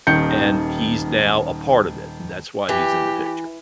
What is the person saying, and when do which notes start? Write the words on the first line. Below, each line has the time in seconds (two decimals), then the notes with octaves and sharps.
and he's now a part of it, and that's why he's in the picture.
0.07 D#1 D#3 G6 C#7
2.69 E3 G4